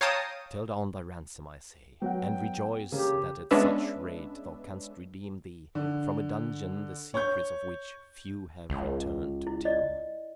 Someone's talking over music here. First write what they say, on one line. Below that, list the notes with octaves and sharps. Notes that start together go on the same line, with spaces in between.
Tell down thy ransom, I say, and rejoice that at such rate thou canst redeem thee from a dungeon, the secrets of which few have returned to tell.
C#5 F5 G5 A5 A#5 D#6
F#3 B3 F#4 F#5 G5
C#3 A#3 G4
G#3 B3 C#4 D4 B4 E5
D3
C#5 C#6 G6
C#2
E4
D5 D#5